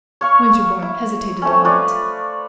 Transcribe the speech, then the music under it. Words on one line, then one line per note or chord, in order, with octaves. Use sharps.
Winterbourne hesitated a moment.
C#5 F5 C#6
E4
A3 C4 C#4
F4 B4 C#5 D5